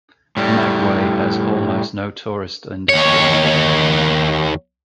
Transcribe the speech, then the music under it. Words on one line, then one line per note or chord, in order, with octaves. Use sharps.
Magway has almost no tourist industry.
A2 G3
D#2 C#5